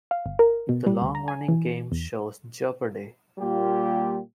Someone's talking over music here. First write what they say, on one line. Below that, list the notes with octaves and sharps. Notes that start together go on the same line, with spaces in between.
The long-running game shows Jeopardy!
F5
G1
A#4
B2
G3
D2
A#5
G#5
E3
E2
A#2 G3 A#3 F4 G4